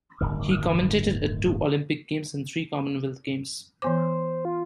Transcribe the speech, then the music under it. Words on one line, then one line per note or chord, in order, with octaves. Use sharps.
He commentated at two Olympic Games and three Commonwealth Games.
D1 G1 D#3
E3 B3 C5 D6
F4